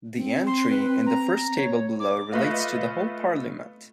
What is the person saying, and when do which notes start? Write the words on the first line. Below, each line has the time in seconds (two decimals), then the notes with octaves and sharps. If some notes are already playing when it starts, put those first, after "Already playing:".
The entry in the first table below relates to the whole Parliament.
0.15 C4
0.47 C6
0.70 B4
1.06 A#5
1.57 C#5
2.00 D6
2.32 A3 F4 B4 D#5 F5